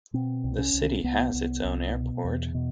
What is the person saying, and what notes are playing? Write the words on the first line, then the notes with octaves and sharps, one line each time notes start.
The city has its own airport.
B2 C4
C2
C#4
C2
C2 B3
C2
C2
B2
E2
B2